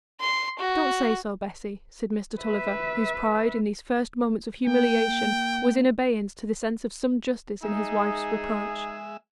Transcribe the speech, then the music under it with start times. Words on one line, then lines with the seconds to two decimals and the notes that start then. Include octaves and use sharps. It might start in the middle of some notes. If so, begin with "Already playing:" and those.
"Don't say so, Bessy," said Mr. Tulliver, whose pride, in these first moments of humiliation, was in abeyance to the sense of some justice in his wife's reproach.
0.20 C6
0.59 F#4
2.40 B4 E5
4.67 A#3 G5
7.63 G#3 D#4 G#4 E5